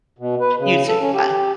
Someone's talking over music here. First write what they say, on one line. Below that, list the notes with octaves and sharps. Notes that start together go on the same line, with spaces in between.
You too. Bye.
B2
B4
C#3
A4
C#4
G4